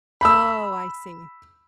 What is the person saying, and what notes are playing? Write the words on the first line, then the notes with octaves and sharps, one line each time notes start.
Oh, I see.
B5 E6